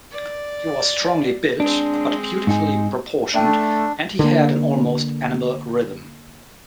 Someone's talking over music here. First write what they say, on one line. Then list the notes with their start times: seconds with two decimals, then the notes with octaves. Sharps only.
He was strongly built but beautifully proportioned and he had an almost animal rhythm.
0.11 D5
1.60 G#3 C4 D4
2.47 G#2 D#4 G#5
3.34 A3 D4 D5 E5 G5
4.19 D3 A#3